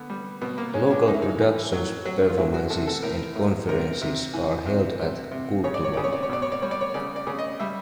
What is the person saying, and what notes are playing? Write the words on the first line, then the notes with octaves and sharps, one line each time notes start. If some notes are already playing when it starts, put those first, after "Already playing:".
Local productions, performances and conferences are held at "Kulturum".
Already playing: D3 B3
G3
B2 B3
A#3
G#3 C#4
C#4
D4
G#3 D#4
E4
D#4
E3
F#3
F#3
F4
G#3 E4
F#4
C3 A4
A4
A2 A#4
A2
C3 A#4
C3
E3
C3
C3
C3
C#3 C#5
D5
C#5
C#3 D5
C#5
D5
C#5
B2 D5
C#5
D5
G3 C#5
D5
C#5
C#3 D5
D5
C#3
D#5
G3 E5